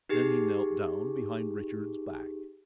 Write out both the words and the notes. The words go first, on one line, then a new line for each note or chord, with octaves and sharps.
Then he knelt down behind Richard's back.
D#4 G4 G#4